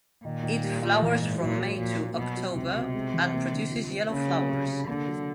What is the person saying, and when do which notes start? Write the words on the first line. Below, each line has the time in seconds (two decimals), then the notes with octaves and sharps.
It flowers from May to October and produces yellow flowers.
0.25 A#2 D#3
0.44 D#3
0.63 G3
0.82 F4
1.02 E3
1.22 G#2
1.40 A#2 F#3
1.59 F#3
1.79 A#2 F3
1.99 A#3
2.17 B2 F#3
2.37 F#3
2.56 C#2 C3
2.76 B2
2.94 G#3
3.14 E3
3.33 A#3
3.52 D3
3.71 F4
3.91 C4
4.10 C#3 A#3
4.29 F#3
4.48 C3
4.68 C3
4.88 D3 A#3
5.07 F#3